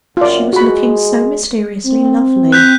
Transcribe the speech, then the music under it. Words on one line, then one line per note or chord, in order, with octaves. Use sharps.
She was looking so mysteriously lovely.
F#2 F4 D5
G#3 F#4 B5
C4
F#6 G6 B6